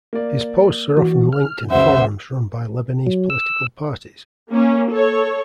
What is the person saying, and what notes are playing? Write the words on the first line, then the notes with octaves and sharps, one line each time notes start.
His posts are often linked in forums run by Lebanese political parties.
A#3 D5
E3 F#4
F6
C#2 F#2 C5 E5 F#5
F#3
E6
A#3 C#4
A4 C#5